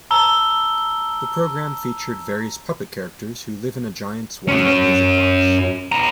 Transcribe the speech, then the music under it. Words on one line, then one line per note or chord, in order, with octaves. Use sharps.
The program featured various puppet characters who live in a Giant's wind-up music box.
A5 A#5 E6 G7
C#4 F#4
B3 A#5